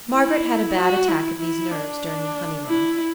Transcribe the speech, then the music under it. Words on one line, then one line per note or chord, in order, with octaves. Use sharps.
Margaret had a bad attack of these nerves during the honeymoon.
E4
F#4
E4
E4
D4
E4